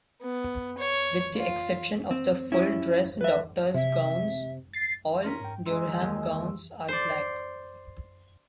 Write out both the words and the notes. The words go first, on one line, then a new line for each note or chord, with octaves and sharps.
With the exception of the full-dress doctors' gowns, all Durham gowns are black.
B3
C#5
F4
C4
C#4 E4
B4 E5
C3 E5
A6 C7
C#4 D4 A#4 C6 B6
G#2 G5
F#2 G#3 C6 E6
D#2
C5 D5